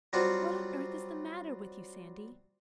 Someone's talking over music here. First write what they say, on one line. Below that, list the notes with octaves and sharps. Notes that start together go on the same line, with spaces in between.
What on earth is the matter with you, Sandy?
F#3 G3 C4 F4 F#4